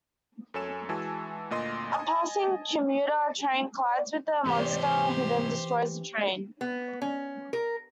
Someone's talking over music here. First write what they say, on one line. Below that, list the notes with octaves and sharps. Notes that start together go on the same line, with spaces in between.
A passing commuter train collides with the monster, who then destroys the train.
F#2 A4 C#5 G#5 E7
E3 G#3 F#4 G#5 A5 E6
D2 A#2 D#5 C6 A#6
D#5 G#5 A5 D#6
G#2 C3 E3 G4 C5
B3
C#4
A#4